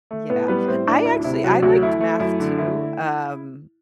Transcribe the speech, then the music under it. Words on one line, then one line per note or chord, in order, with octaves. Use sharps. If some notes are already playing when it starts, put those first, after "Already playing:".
Yeah, I actually I liked math too, um,
A3
A2 B3 B4
G3 B3 B4
A2 C4 C5
A2 D4
D2 E4
D4
C3 E4
C3 F#3 F#4
D2 F#3 F#4
A3 E4
A3
F#2 E4
D3
A3 E4